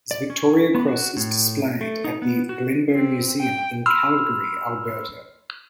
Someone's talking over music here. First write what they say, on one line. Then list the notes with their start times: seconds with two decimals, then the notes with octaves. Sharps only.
His Victoria Cross is displayed at the Glenbow Museum in Calgary, Alberta.
0.11 D5
0.30 C#4
0.75 B3
0.88 F#4
1.17 A2
1.81 A3
2.04 D#4
2.22 B3
2.49 F#4
2.94 C4
3.40 G5
3.86 B5 C6 E6 F6